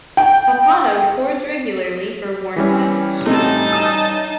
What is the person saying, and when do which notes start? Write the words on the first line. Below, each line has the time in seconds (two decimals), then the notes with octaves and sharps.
Pappano records regularly for Warner Classics.
0.17 G5
2.56 E3 G3 C#4
3.26 A2 C4 D#4 A4 A5
3.73 D#6